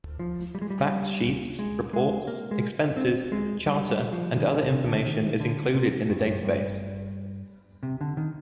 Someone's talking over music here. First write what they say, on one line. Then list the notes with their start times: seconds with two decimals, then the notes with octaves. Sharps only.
Facts sheets, reports, expenses, charter, and other information is included in the database.
0.19 F3
0.55 G3
0.62 G#3
0.70 G3
1.59 G#3
1.93 G#3
2.27 A#3
2.51 G#3
2.97 C4
3.32 G#3
3.66 G3
3.90 G3
4.13 F3
4.36 D#3
4.53 D3
4.70 C3
4.87 D3
5.06 D#3
5.40 D3
5.74 C3
6.10 G2
6.19 G#2
6.26 G2
6.44 G2
7.83 C3
8.01 D3
8.17 D#3